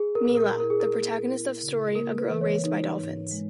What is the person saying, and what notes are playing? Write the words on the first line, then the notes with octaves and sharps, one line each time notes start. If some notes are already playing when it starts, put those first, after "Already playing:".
Mila: The protagonist of the story, a girl raised by dolphins.
Already playing: G#4
A#4
A#2
A#4
E4 A#4
G#4
A#4
A#3
E4
C#3
A#3 A#4
B4
E3
C#5
D#4
G#2
G#3